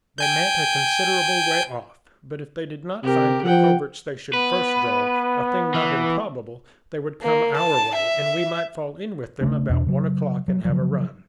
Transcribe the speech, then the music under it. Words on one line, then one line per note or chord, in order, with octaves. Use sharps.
They met a considerable way off, but if they did not find in the coverts they should first draw, a thing not improbable, they would come our way, and we might fall in with them about one o'clock and have a run.
G5 G#5 G6
C3 G4 A#4
F3 F#5 G5
B3 B4
E3
A#3
A5
E5
C#3 A3 C#4 D4
E2 B2 D4
C#3 F#3
F#3
C#3 F3 F#3